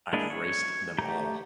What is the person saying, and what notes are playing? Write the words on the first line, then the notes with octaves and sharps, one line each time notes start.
I've raced them all.
G#3 A#3 D4 E4 G#4
C#5
A3 G4 A#5 G6